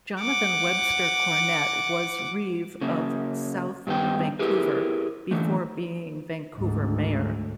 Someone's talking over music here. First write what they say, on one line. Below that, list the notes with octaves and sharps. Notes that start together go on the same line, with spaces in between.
Jonathan Webster Cornett was reeve of South Vancouver before being Vancouver mayor.
F#5 D6
C#3 A#3
G2 D#3 B3 G5
E4 G4 G#4 A#4 B4
D3 E3 A3
D2 G#2